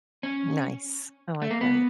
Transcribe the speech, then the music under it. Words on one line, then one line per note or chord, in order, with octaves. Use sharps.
Nice, I like that.
C#4
A3
A#3
B3